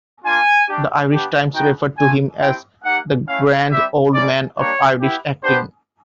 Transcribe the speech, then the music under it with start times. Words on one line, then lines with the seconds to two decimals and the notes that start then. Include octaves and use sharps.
"The Irish Times" referred to him as the "grand old man of Irish acting".
0.24 A#3 D4 F4 G#5
0.68 A3 D4 G4
1.12 B3 D4 G4
1.54 B3 D#4 F#4 G5
1.97 A3 D4 F4 G#5
2.40 C4 E4 G4 G5
2.84 A#3 D#4 G4 F#5
3.27 A3 C#4 E4 F5
3.70 G3 C4 E4 G4 E5
4.14 A#3 C#4 E4 D5
4.57 G3 A#3 D4 G4 C#5
5.00 B3 E4 G4
5.43 B3 D4 G4 C5